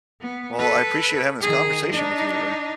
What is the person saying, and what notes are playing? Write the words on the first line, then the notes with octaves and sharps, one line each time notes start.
Well, I appreciate having this conversation with you today.
B3
A4 B4
D#3 G#4
D4 D#4